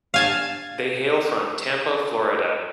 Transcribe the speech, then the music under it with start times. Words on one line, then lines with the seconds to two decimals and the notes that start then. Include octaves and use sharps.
They hail from Tampa, Florida.
0.14 F5 G#5 A5